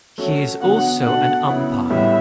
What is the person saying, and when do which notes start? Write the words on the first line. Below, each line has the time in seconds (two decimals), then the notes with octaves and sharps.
He is also an umpire.
0.18 F#3 A3 C#4 F#4
0.60 D3 F#3 B3 F#4 F#5
1.04 B2 A3 D4 F#4 F#5
1.47 C#3 F#3 B3 E4
1.90 A2 E3 G3 B3 E5